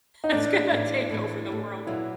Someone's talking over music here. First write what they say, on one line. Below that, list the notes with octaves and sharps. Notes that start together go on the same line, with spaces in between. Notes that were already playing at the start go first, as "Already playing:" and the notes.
It's gonna take over the world.
D#4
A2 E3 A3 D4
A2 E3 A3
A2 E3 A3
A2 E3 A3
A#2 F#3 B3 E4